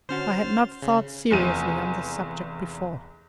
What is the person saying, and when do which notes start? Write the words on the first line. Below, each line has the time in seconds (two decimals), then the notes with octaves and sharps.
I had not thought seriously on this subject before.
0.09 D3 C#4 F#4 C5 F6 A6
0.82 C#3
1.31 F1 E2 D#7